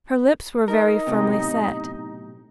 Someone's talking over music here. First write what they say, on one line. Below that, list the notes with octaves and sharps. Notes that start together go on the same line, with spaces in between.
Her lips were very firmly set.
D#4 A#4
B1 A2 C3